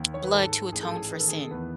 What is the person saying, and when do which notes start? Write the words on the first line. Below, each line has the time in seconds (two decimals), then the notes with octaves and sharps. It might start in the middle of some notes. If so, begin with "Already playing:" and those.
blood to atone for sin.
Already playing: D#2
0.14 C#5
0.24 B4
0.32 G#2 A4
0.72 A1 G#4
0.83 A4
0.94 G#4
1.11 D#3 B4
1.20 A4
1.28 G#4
1.37 A4
1.50 E2 B3 B4